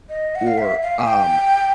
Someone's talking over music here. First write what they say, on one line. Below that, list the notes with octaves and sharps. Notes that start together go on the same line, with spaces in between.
or, um,
D#5
F#5
F5
E5
F5
G#5
G5